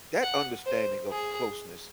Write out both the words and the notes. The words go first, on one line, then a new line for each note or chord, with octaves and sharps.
that understanding of closeness
F#5
C5
G#4